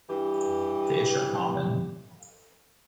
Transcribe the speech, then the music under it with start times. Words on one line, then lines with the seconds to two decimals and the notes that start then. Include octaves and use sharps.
Fish are common.
0.10 G2 E3 G4